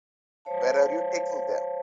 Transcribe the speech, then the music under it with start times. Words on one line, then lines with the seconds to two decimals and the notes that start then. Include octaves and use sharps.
Where are you taking them?
0.45 C5 C#5 F5 A5